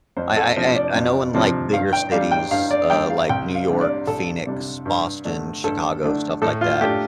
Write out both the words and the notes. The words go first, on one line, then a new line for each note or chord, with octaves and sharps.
I I I I know in, like, bigger cities, uh, like New York, Phoenix, Boston, Chicago, stuff like that,
F2 C5
A4
C3 F3 D4 C5
D5
F2
C3 F3 D4
G2 F5
G5
G3 D4 F5
G5
G2 F5
D5
G3 D4 G5
F5
C2 G5
F5
C3 G3 D4
D5
C2 A4
C3 G3 D4
G2
D3 A3 D4
G2 A4
D3 A3 D4
A2 A4
F4
A3 D4 G4